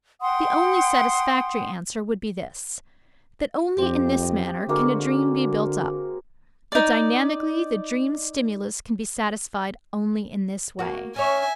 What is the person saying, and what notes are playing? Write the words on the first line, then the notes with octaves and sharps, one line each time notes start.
The only satisfactory answer would be this, that only in this manner can a dream be built up, that dynamically the dream-stimulus can be satisfied only in this way.
F#5 G5 C6 D#6
F2 C4 G4
D#5
D3 G#3 A#3 F#4
D#4 D5
A#3 F#4
C#4 C#5 E5 G#5